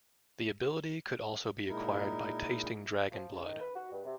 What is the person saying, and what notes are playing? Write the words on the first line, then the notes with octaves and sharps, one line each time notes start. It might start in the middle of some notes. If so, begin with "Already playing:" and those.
The ability could also be acquired by tasting dragon blood.
A#2 G#3 D#4 E4 A#4
F3
C#3
D#3
B4
F#4
G2
C3